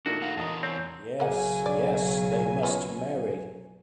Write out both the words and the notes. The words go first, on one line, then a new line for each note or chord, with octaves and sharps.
Yes, yes, they must marry.
A#2 D#3 A3 D4 F#4
A4 F5 F#5
E2 A#4 D#5 A5
C4 C#5 G#5
B1 C#3 F#3 A#3 F#5 G#5
D5
B3 C#4 F4